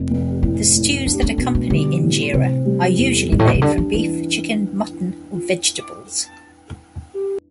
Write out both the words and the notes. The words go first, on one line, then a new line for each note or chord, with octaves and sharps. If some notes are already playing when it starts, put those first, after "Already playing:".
The stews that accompany injera are usually made from beef, chicken, mutton or vegetables.
Already playing: F1
F1
A2 C4
A2
B3 D4
C4
B2 C4
A3
D3 G3
A2
C3 C4
G3
E2
G2 G3
A2
B2
C3
D3 D4
F3
E3 G3